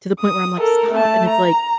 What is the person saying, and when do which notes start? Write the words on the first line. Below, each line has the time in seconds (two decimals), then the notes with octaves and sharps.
to the point where I'm, like, "Stop." And it's, like,
0.20 D#6
0.59 A4 A#4
0.91 A3 A5
1.28 A#5